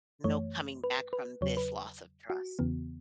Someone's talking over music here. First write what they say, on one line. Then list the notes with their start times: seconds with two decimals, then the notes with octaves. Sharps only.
no coming back from this loss of trust?"
0.24 F#2 E3 A3 C#5
0.84 B4
1.13 B4
1.41 E2 C#3 F#3 C#5
1.57 B4
2.30 F#4
2.59 E2 C#3 E3 B3